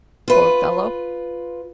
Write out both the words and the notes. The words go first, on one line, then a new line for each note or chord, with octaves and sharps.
Poor fellow!
F4 B4